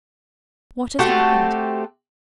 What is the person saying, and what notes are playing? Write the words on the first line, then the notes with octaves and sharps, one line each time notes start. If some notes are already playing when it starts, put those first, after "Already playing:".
What has happened?
A3 C4 F#4 G4